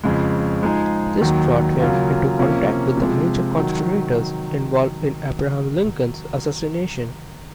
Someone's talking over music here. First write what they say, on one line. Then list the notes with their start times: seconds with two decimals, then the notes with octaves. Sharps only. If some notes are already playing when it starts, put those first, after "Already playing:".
This brought him into contact with the major conspirators involved in Abraham Lincoln's assassination.
0.03 F2 C#3 G#3
0.62 F3 G#3 D#4 G#4
1.21 D#2 D#3 F#3
1.80 C#3 F#3 A#3 C#4 F4
2.39 C3 F3 A#3 C#4
2.97 C3 F3 G#3
3.58 D#3 F#3